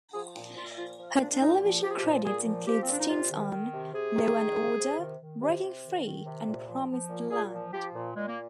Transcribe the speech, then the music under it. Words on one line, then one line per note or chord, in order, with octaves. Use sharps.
Her television credits include stints on "Law and Order", "Breaking Free", and "Promised Land".
F3 G#4
A#2
A#2 F4
F3 F4
F3
A#2 D4
D4
A#2 D#4
F3
F3 G4
G#4
G4
A#2
A#2 G#4
F3
F3 G4
C4
A#2 D4
D#4
C3 F4
D#3
D#3
C3
C3 G#4
D#3
D#3
C3
C3
D#3
D#3
C3
C3
D#3
D#3
C3
A#2
F3
F3
A#2
A#2 G#4
F3
F3 G4
A#2
A#2 G#3
A#3